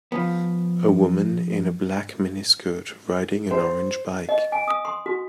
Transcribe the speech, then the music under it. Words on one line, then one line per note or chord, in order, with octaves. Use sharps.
A woman in a black miniskirt riding an orange bike.
F3 B3
C5
D#5
G#5
D#6
C6
F#4